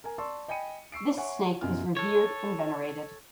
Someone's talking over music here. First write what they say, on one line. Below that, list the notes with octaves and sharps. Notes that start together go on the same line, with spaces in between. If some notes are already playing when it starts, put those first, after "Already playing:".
This snake is revered and venerated.
A#4 G#5
D5 A5 C6 C#6 E6
D#5 G5 G#5 B5 C#7 D#7
C#6 E6 C7 D7
C#5 E5 F#5 G#5 C#6
F#1 F#2 B2 F4 F6
A4 C#5